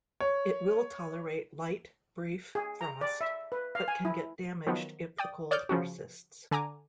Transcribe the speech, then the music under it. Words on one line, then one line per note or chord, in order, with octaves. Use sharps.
It will tolerate light brief frost, but can get damaged if the cold persists.
C#5
G#4
A#5
D5
E5
B4
F5
G#5
E4
D#3 F3 F#3 B3
D5 G5 D#6
C#5 D5 D#6 F6 G6
C#3 F3 C#4 F#4
D3 G#5 A#5 D6